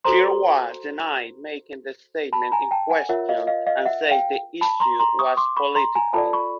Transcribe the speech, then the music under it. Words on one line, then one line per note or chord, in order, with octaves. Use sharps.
Chirwa denied making the statement in question and said the issue was political.
F#4 A4 C5 A#5 C6
A5 B5
G#5 A#5
G5 A5
F#5 G#5
F4 A#4 C#5 E5 F#5
D#5 F5
D#5 F5
D#5 F5
E5 F#5
F5 G5
A5 B5
A#5 C6
A#5 C6
C#6 D#6
C6 D6
B5 C#6
A#5 C6
G#5 A#5
F4 A4 D5 A5 B5
B5 C#6